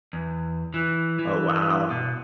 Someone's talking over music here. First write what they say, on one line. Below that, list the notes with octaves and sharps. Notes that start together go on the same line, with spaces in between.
Oh, wow.
E2
E3
E3
B2